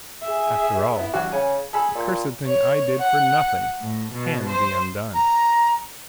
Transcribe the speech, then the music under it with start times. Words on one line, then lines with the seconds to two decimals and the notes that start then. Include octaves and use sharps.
After all, the cursed thing I did for nothing can be undone.
0.23 G#4 E5
0.96 B3 E4
1.14 E2 G2 F#4
1.32 C#3 G#5
1.73 G#4 A4 B5 E6
1.95 A#2
2.44 C#5
2.99 F#5
3.82 A2
4.12 B2
4.51 C5
5.14 A#5